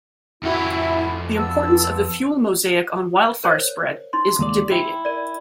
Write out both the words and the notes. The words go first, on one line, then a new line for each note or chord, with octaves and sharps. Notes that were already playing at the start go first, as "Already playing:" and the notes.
The importance of the fuel mosaic on wildfire spread is debated.
F2 E4 F#4
B3 A5 E6
A#4 C5 C#5
D#4 C6
D#2 G#3 D5
E4 G5
A#4 D5